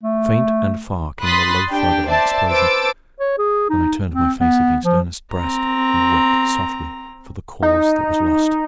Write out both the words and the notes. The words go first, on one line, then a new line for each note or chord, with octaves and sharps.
Faint and far came the low thud of an explosion. Then I turned my face against Ernest's breast and wept softly for the Cause that was lost.
A3
B5 C6 D#6 F#6 A6 B6
D4 G4 G5
C5 D5 E5 A5
B4 C5 A5 D6 E6 D7
C#5
G#4
D#4
C4
B3
F3
C4 A#5
D#4